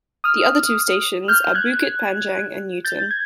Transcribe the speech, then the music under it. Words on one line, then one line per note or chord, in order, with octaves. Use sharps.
The other two stations are Bukit Panjang and Newton.
D#6 F6
F6 G6
F#6 G#6
G6 A6
G#6